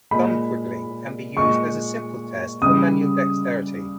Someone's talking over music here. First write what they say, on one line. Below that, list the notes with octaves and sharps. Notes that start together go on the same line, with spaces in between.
Thumb twiddling can be used as a simple test for manual dexterity!?
A#2 G#3 B5
A#2 G#3 C#6
C#3 G3 D#6